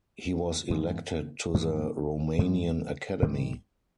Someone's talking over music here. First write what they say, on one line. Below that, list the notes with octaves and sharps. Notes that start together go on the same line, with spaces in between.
He was elected to the Romanian Academy.
G2 E3 G#3 B3
G2 E3 G#3 B3
G2 E3 G#3 B3
G#2 D#3 G3 C4